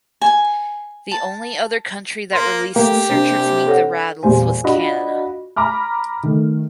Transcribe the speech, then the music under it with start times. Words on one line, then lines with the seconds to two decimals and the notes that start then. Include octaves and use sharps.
The only other country that released "The Searchers Meet The Rattles" was Canada.
0.22 G#5
1.11 A5
2.33 A#3 C6
2.76 A3 A#3 G4
3.09 C3 D4 C5
3.67 A4 C#5 F#5
4.23 E2 A#2 G3 C5 G#5
4.64 D4 F4 F#4 D#5 B5
5.56 A#5 B5 D6 F6
6.23 D#3 A3